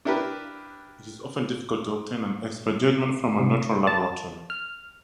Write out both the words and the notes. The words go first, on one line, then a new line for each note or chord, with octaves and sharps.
It is often difficult to obtain an expert judgement from a neutral laboratory.
D4 E4 G4 A#4 B4
C3
A5
F6